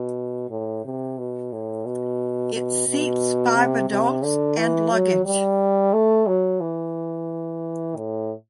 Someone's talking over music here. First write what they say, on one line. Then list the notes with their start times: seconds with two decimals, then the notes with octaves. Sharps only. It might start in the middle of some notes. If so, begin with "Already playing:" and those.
It seats five adults and luggage.
Already playing: B2
0.50 A2
0.85 C3
1.18 B2
1.52 A2
1.86 B2
2.54 B2
2.88 B2
3.55 C3
3.90 C3
4.24 D3
4.57 E3
4.92 F#3
5.25 G3
5.93 A3
6.27 F#3
6.60 E3
7.96 A2